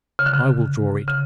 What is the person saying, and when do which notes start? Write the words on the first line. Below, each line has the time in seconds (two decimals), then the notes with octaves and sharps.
"I will draw it."
0.19 C#3
0.26 D3
0.34 C#3
1.08 C#3